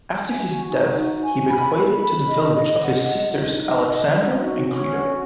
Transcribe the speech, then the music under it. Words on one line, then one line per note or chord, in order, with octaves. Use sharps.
After his death he bequeathed to the village of his sisters Alexandra and Creata.
G#5
F#4
D#4
F#4
G#5
B5
B5
B5
D#5
D#5
F#5
D#5
D#4
D#5
D#5
D#4
F#4
C#4
F#4